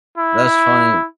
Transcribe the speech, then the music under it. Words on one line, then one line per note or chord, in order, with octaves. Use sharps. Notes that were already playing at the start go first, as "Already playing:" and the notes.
that's funny.
E4